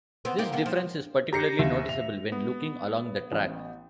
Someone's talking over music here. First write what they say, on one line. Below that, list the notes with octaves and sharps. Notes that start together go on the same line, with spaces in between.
This difference is particularly noticeable when looking along the track.
B3 C4
A#3 D#4 G4
D#2 A#3 B3
F3
G4 A#5 A#6 C7 C#7
D#2 E5
F7
B3
A1